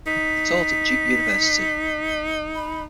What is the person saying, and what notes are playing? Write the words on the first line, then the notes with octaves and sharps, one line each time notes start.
He taught at Duke University.
D#4 B6
B5